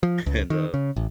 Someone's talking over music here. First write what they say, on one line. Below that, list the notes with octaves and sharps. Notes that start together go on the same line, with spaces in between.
And, uh
F3
C#2
D#3
C#3
A1